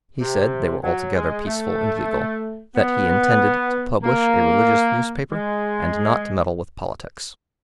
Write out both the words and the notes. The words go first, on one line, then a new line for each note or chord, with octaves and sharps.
He said they were altogether peaceful and legal; that he intended to publish a religious newspaper and not to meddle with politics.
C3
F#3
G#3
A3
B3
A#3
G#3